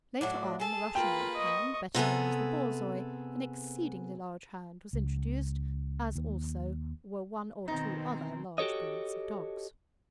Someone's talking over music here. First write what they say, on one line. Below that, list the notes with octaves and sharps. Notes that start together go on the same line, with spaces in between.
Later on the Russian Wolfhound, better known as the Borzoi, an exceedingly large hound, was introduced, as also were one or two other large breeds of dogs.
A2 F#3 D4
G#4 A4 A5
A#3 F4 B4 G5
D#5 C#6
C3 B3 G#4 A4
C#2
D#2
B2 D#3 C4 D#4
F#4 G4 A4 C#5 D#5